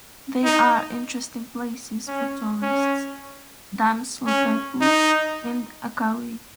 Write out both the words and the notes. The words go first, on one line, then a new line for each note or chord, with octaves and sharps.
They are interesting places for tourists, dams Itaipu and Acaray.
D#4
C#4
C#4
C#4
D#4